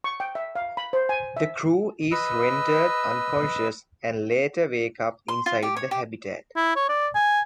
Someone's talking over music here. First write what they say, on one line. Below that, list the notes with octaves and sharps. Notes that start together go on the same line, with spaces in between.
The crew is rendered unconscious and later wake up inside the habitat.
C#6
G5
E5
F5
B5
C5
G#5
E5
B4 D#5 E6
C6
F4
G4
C#5
G4
E4
C#5
D5
G#5